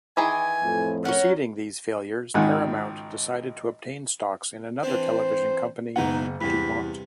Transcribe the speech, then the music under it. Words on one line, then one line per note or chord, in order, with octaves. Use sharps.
Preceding these failures Paramount decided to obtain stocks in another television company, DuMont.
D#3 E3 G#4 G#5
F2 A2
C#4 A#4 C#5 F#5
G#1 C#2 D#3 F#5 G#5
E3 C4 D4 C5
F#1 B2 E3 G#3 D#4 F#5
E2 G2 C3 E3 B5